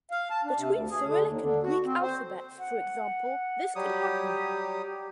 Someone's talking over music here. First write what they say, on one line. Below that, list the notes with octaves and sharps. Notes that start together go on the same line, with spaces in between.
Between Cyrillic and Greek alphabets, for example, this could happen.
F5
A5
D4
C3
D2
G#4
D3
D#2
D3
F#4
C4
C5
F#5
F#3 G3 G4 D#6
G4